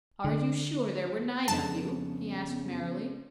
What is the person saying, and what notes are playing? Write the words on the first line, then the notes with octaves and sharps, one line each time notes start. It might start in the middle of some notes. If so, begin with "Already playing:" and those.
"Are you sure there were nine of you?" he asked, merrily.
D3
F2 C#3 G#3 B3 D4 A5